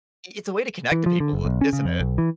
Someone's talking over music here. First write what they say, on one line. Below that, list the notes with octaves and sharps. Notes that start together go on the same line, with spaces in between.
i it's a way to connect to people, isn't it?
E3
F3
D3
F#1
B1
C#4
C#3
F2
B1
E3